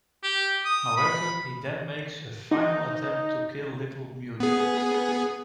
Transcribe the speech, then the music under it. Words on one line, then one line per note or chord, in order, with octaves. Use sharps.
However, he then makes a final attempt to kill Little Mute.
G4
D#6
B5
D#4
B3 G#4